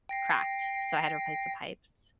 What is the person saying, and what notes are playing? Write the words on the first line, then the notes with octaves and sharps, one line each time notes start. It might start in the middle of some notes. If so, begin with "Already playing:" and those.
cracked, so I had to replace the pipes.
G5 A#6 C7